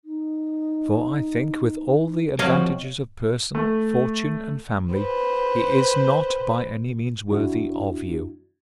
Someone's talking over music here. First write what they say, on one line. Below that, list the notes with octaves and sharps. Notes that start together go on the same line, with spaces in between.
For, I think, with all the advantages of person, fortune, and family, he is not by any means worthy of you.
D#4
F3 G3 C4 F#4 C#5 D#5 F5
A3
B4 C5
F#2 D4 E4 F#4